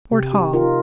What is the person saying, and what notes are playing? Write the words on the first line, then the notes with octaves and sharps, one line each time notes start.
Fort Hall.
C3 G4
D#4 G4
D#4 F4 A#4